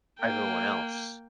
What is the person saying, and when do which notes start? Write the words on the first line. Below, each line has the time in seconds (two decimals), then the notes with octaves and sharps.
everyone else?
0.20 A#3 G5